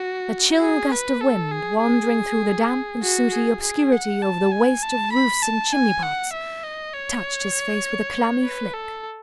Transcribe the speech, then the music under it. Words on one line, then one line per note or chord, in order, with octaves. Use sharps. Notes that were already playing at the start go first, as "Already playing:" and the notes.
A chill gust of wind, wandering through the damp and sooty obscurity over the waste of roofs and chimney-pots, touched his face with a clammy flick.
Already playing: F#4
G#4
B4
A4
G#4
G#4
F#4
G#4
G#4
F#5
A5
G#5
A5
B5
A5
G#5
F#5
E5
D#5
C#5
B4
A4